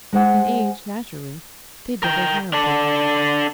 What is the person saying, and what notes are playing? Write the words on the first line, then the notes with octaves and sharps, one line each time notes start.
In age, naturally, they differ wildly.
G#3 C5 F#5
A#4 G5
D4 A4